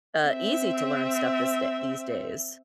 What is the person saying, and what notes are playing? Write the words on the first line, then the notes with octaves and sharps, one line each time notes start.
uh, easy to learn stuff this da these days.
C4 E5